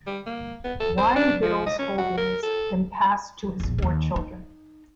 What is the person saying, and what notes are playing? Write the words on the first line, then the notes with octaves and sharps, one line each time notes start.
Winebiddle's holdings then passed to his four children.
G3
A#3
B3
A4
C5
D4
F3
D#5
C#4
F#4
A#4
A4
E1 A#1
D#2 D#3
D#4